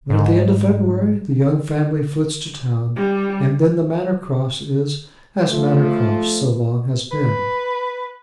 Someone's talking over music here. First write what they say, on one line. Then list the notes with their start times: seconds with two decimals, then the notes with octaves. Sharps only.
But at the end of February the young family flits to town, and then the Manor Cross is as Manor Cross so long has been.
0.10 G#2
2.96 G3
5.50 F3 A3
7.12 B4